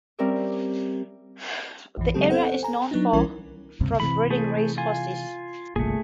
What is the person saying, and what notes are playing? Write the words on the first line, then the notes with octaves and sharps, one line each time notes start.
The area is known from breeding race horses.
G3 C4 C#4 A#4 D5 E5
A#1 F#2 E3
C#3 F#3 G#3 C4 G4 A4
B3 C4 A4 C5 F#5
G#5 A#5
F#3 B3 D4 D#4
B1 E3 G3 C#4 E4 A#4
C#2 G2 C3
C3 E3 B5
A3 G#4 C5
F4 G#5
G1 C2 A#2 A3 G#4